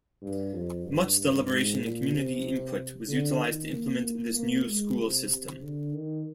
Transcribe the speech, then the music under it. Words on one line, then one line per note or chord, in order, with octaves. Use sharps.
Much deliberation and community input was utilized to implement this new school system.
G2
F2
G2
G2
G#2
A#2
C3
D3
D#3
A#3
A#3
A#3
G#3
C3
C3
D3
D#3